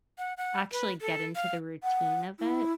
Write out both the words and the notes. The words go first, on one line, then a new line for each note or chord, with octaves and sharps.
actually get into the routine of it,
F#5
F#5
B4
A4
F5
F#5
E4